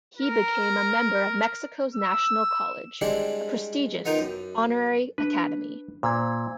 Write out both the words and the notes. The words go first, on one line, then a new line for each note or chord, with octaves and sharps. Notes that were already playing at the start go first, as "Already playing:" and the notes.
He became a member of Mexico's National College, a prestigious honorary academy.
A#4
E6
G3 G#3 C4 D4 E4 G4
B3 D#4 F4 A#4 G5
F#2
D4 B4
A#2 C5 E6 G#6